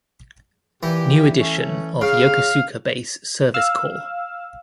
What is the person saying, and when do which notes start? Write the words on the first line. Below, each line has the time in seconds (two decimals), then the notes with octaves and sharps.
New edition of Yokosuka Base Service Corps.
0.83 A#2 E3 G4
1.39 A3 C#4
2.01 C#3 F5
3.54 F5 E6